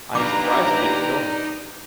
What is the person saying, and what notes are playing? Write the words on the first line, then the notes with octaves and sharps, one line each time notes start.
I am surprised you didn’t kill me.
D4 D#4 G4 B4 D5 F5 A#5 D6